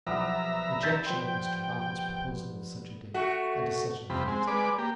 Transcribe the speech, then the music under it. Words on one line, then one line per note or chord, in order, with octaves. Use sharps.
Rejection of Mr Boffin's proposal of such a date and to such an effect.
B1 F3 G3 B3 E5 F#5 A#5
G6 A6 B6
F3 G5 C6
A3 F#4
F2 C3 G3 B5
G#3 C4
G#3 B4 D5 D6
A#3 G4